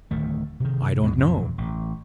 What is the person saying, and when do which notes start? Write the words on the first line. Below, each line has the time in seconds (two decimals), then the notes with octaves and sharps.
"I don't know."
0.11 D1 D#3 A3
0.60 C3 D#3
1.02 D#2 B2 G#3 D4
1.18 A1 F2 B2 F#3
1.58 A1